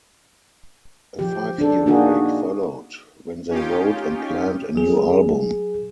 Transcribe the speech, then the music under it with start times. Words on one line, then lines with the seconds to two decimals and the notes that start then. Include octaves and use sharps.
A five-year break followed, when they wrote and planned a new album.
1.19 F3 G4
1.58 D4 A4
1.86 A#3 D4 D#4 F#4 G#4
3.50 C#4 D#4 F4 G4
4.76 F#3 G#4